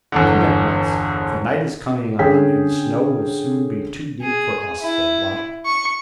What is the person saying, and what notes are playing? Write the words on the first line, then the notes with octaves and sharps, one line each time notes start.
Come at once, for night is coming on, and the snow will soon be too deep for us,' said Blot.
G1 E2 D3
D3 C#4 G#4 G5 B6
G#4
E4
C#6